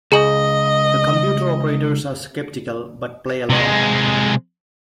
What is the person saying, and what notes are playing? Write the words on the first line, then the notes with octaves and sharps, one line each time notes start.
The computer operators are skeptical but play along.
C#2 G#4 D#5 G#5 F#7
C3 G#3